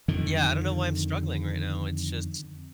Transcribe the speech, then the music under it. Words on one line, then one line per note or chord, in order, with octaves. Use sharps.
yeah, I don't know why I'm struggling right now. It's just
F2 D3 D#3